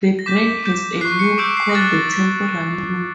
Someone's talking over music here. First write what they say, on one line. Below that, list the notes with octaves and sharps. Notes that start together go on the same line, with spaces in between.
The brain has a lobe called the temporal lobe.
A#6
D6 G6 B6
D6 G6
C#6 F#6 C7
C#6 C#7
C#6 D6 E6 G6 D7
C7
A#6
D6 F#6 A6
A#6